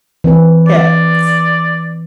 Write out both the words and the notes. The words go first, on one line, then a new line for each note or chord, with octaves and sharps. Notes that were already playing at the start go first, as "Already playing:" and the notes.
Yeah, it's
E3 C4 B4
D5